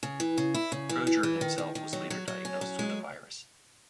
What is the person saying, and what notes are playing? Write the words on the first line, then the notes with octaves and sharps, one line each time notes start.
Crozier himself was later diagnosed with the virus.
C#3
E3
C#3
E4
C#3
E3
E3
E3
D#3
D#3
D#3
F#3
F#3
F#3
C#4
F#3
G#3